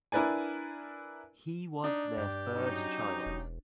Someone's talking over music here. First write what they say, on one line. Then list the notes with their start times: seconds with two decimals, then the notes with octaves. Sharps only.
He was their third child.
0.12 D4 E4 A#4 B4 D5 G#5
1.84 D4 D#4
2.18 G2 G4
2.55 F#3 C#4 D#4
3.26 E1